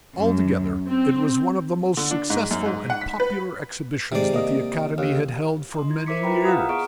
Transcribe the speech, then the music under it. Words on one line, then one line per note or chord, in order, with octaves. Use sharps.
Altogether it was one of the most successful and popular exhibitions that the Academy had held for many years.
F#2
C4
D3
D4
G#2
F#2
G#2
F#5
B6
B4
C3 D#3 G#3 D5
A#3 D#5
D#2
D#5 C6
E4 G#6
A#4 C5 E5 D6 B6 C#7
E4 F4 B4 G5 A#5 B5
D#5 F5 F#5 A#5 D#6
B3 G#4 D#5 C#6 F6 D7